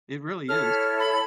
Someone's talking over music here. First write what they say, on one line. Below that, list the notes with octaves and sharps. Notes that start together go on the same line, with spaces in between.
It really is.
E4 A4 C#5 F6
B5